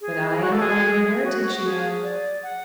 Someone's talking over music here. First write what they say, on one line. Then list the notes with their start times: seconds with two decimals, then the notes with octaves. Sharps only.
"But I and mine are heretics, you know!"
0.01 G#4
0.41 F#4
0.52 A4
0.62 G#4
1.22 F#4
1.62 G#4
2.03 D5
2.43 F#5